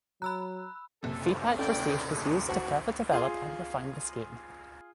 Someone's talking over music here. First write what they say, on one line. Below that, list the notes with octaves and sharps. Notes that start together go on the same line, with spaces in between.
Feedback received was used to further develop and refine the scheme.
F#3 A#5 B5 E6 F#6
F#1 C3 A4
C#4 E4 A4 D5 G5
G#3 A3 G4
D4 F#4 C5 C#6
F4 G#4 F5 C6